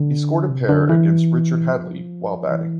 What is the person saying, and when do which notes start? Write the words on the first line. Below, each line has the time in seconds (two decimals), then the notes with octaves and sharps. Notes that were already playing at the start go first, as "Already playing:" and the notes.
He scored a pair against Richard Hadlee while batting.
Already playing: D3
0.49 C3
0.69 D3
0.89 E3
1.69 F3
2.50 E3